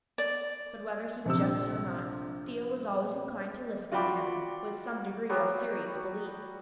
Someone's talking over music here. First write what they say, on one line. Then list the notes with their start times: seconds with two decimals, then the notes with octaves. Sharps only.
But whether he jested or not, Theo was always inclined to listen to him with some degree of serious belief.
0.18 D5
1.26 A#1 C3 E6
3.92 F4 F#4 D5 G5 B5 D6
5.29 F#3 G3 B3